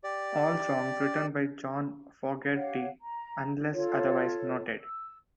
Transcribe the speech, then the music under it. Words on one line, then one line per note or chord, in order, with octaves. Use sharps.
All songs written by John Fogerty, unless otherwise noted.
G4 D5
G4 C#5 F5 F#5
A#5
F4 A4 C#5
E6